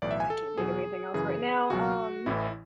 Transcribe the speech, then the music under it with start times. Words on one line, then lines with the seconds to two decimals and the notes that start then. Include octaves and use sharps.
I can't think of anything else right now. Um,
0.02 B1 A2 E3 D5
0.11 E5
0.20 G#5
0.30 A4
0.58 E2 B2 F#3 G#4
1.14 F#2 C#3 E3 G#4
1.70 C#2 B2 F#3 F#4
2.26 A1 A2 E3 E4